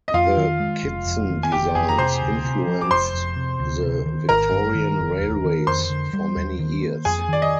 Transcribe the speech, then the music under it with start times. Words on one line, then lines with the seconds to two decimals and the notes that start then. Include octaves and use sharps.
The Kitson designs influenced the Victorian Railways for many years.
0.08 D#5
0.14 F2 F4 F5
0.37 D#3
0.60 G#3
0.83 F1
1.06 F2
1.29 D#3
1.43 G#5
1.52 F1 G4 G5
1.75 F2 G#4 G#5
1.89 A#5
1.98 C3 C5 C6
2.21 D2
2.44 C3
2.67 F3
2.81 D6
2.91 F1 C5 C6
3.14 F2
3.36 C3
3.60 D2
3.83 C3
4.06 D#3
4.29 G#1 A#4 A#5
4.52 G2
4.75 D#3
4.98 F1
5.21 D#2
5.44 D#3
5.67 F2 C5 C6
5.90 D3
6.13 G3
6.36 D#2
6.59 D#3
6.82 A#3
7.05 F2 G#4 G#5
7.28 D#3 D5
7.42 D#5